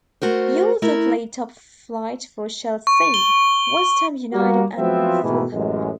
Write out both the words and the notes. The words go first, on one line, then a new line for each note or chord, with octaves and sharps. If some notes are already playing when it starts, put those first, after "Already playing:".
He also played top flight for Chelsea, West Ham United and Fulham.
A3 F#4 A#4 C5
A3 E4 A#4
C#6
G7
G3 A#3 F#4
F3 F#3 B3 C4 F4 E5
G#2 B2 D#3 E3 G#3 A3
A1 F#2 G#3